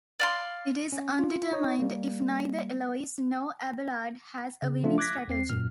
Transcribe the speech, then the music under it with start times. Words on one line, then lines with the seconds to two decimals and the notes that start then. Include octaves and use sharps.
It is "undetermined" if neither Eloise nor Abelard has a winning strategy.
0.20 D5 F5 C6
0.92 C#4
1.19 F4
1.52 D#4 C#5 D#5
1.79 G3 A#3
4.62 C#3
4.83 F3 A3 D4 F4
4.98 D6 F#6 G#6 A#6 B6
5.28 E2 C4 C7
5.50 F#2 A#2 F6